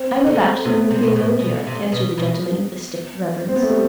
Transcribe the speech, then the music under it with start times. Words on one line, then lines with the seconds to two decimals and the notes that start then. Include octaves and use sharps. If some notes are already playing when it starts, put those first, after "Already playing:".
"I am a Bachelor in Theologia," answered the gentleman with a stiff reverence.
Already playing: C4
0.26 D3
0.65 C3 B3
0.91 C3
1.03 B2
1.16 A2
1.40 B2
1.67 C3
1.92 B2
2.18 B2
3.48 C4
3.56 B3
3.62 A3
3.69 G3